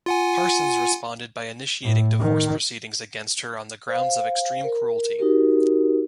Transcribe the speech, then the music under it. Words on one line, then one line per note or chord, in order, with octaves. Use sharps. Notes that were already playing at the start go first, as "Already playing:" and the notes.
Parsons responded by initiating divorce proceedings against her on the grounds of "extreme cruelty".
F4 F#5 G#5
A2
D#3
C5 F5
A#4
D#4 F#4 G4 A#4